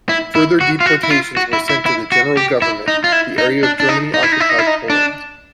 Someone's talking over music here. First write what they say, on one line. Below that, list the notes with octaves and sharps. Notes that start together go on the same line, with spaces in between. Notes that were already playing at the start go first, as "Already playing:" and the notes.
Further deportations were sent to the General Government, the area of Germany-occupied Poland.
E4
E4
F#4
F4
F#4
E4
F4
F#4
E4
E4
E4
F#4
G4
E4
D#4
F4
E4
D#4
D4
D4
D#4
D#4
E4
D#4
E4
D#4
E4
D#4
D4